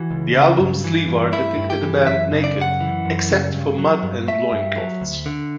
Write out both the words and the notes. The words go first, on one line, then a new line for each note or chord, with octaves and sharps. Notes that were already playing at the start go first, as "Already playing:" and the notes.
The album's sleeve art depicted the band naked, except for mud and loincloths.
Already playing: E3 F#4
C#2
C#3
G2
E3
G2
A3 E4
G2
G4
E3
F#2 E5
C#3
D5
F#2 F#5
E3
F#2
C#3
G2
F#3
G2
A3 E5
G2
F#3
D2
D3